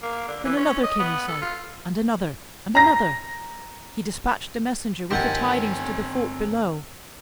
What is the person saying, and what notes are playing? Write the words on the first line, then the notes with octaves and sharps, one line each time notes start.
Then another came in sight, and another, and another. He despatched a messenger with the tidings to the fort below.
A#3
D3
E3
C#4
D#5
B3
A4
F4
A#5 A#6
G1 D#3 C4 G4 F#5 G#5 A5 G6